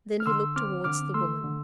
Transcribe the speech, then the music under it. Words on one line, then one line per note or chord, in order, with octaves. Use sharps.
Then he looked towards the woman.
F6
D3 C6 E6
C4 D6 F6
D3 D6 F6
A3 C6 E6
D3